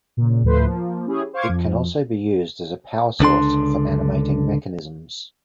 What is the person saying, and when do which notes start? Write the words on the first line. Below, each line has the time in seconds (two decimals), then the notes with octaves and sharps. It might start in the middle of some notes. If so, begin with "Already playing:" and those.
It can also be used as a power source for animating mechanisms.
0.17 A#2 C#3
0.43 D2 A2 F3 A3 B4 C5
0.66 F3 A#3
1.07 C#4 E4 G4 G#4
1.33 C5 F5 C#6 D6 G#6
1.49 F2 F3
3.20 C#2 D3 D4 C6